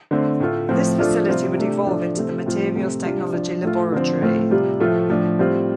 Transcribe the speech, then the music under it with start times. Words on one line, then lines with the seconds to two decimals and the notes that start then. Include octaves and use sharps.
This facility would evolve into the Materials Technology Laboratory.
0.11 D3 A3 C4
0.40 A2 A3 F4
0.69 A2 F3 C4
0.99 F3 A3 D4 F4
1.28 C3 G3 C4 F4
1.57 C3 A3 D4
1.87 A2 F3 A3 D4
2.16 C3 A3 C4
2.46 A2 F3 C4 F4
2.75 C3 A3 C4
3.04 C3 G3 D4 F4
3.33 F3 D4 F4
3.63 A2 A3 F4
3.92 D3 F3 C4
4.22 A2 A3 C4 F4
4.51 C3 G3 F4
4.80 A2 F3 A3 F4
5.09 A2 F3 D4
5.39 A2 G3 C4 F4